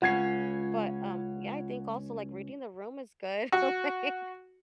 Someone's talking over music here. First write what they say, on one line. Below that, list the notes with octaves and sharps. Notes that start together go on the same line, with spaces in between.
But, um, yeah, I think also, like, reading the room is good, like,
C#2 C#4 F4 F#5 G#6 C7
F#4